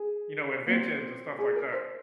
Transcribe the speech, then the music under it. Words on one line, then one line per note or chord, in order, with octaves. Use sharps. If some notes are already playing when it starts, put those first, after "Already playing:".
you know, inventions and stuff like that.
Already playing: G#4
A#3
C4
G#4
A#4
C5